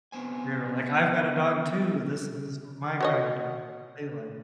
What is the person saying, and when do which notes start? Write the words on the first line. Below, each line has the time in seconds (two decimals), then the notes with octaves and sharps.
Yeah, like, "I've got a dog too. This is w my kinda dog and what they like."
0.12 C3 D#3 B3 C5 G#5
3.00 F#4 C#5 D#5